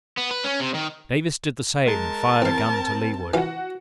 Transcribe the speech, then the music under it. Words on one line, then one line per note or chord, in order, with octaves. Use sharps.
Davis did the same, and fired a gun to leeward.
B3
B4
C#4
C3
D#3
G#3 A#4 A5
E2 C4 F5
E3 F4 F#4 F#5